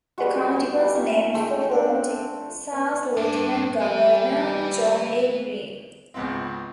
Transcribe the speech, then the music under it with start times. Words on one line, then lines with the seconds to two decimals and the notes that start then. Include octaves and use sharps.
The county was named for former Texas lieutenant governor, John A. Greer.
0.18 G3 G#3 F#4
0.56 B3 G5 G#5
0.79 G3 D#4 F4
0.95 C#4 A#4 G#5
1.34 G#3 A3 G5
1.70 C4 D4 D5
2.72 B3
3.17 G2 D4
3.81 G3 B4 G#5
6.14 G#1 C#2 B3 C4